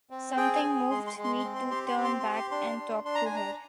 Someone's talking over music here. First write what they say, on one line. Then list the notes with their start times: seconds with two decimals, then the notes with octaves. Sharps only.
Something moved me to turn back and talk to her.
0.10 C4
0.37 G#4 G5
0.55 G#5
0.63 G#4
0.90 G#3 C6
1.07 C6
1.17 G#3
1.24 C6
1.39 C6
1.44 C4
1.55 C6
1.71 G4 C6
1.87 C6
1.97 C4
2.04 C6
2.20 C6
2.25 G4
2.36 C6
2.51 D4 C6
2.78 D4
3.05 D4 C6
3.15 A#5
3.25 G#5
3.31 D4 A#5